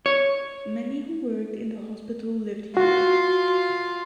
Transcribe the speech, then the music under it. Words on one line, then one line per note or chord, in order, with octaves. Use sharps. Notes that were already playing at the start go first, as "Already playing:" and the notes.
Many who worked in the hospital lived here.
C#5
F4 F#4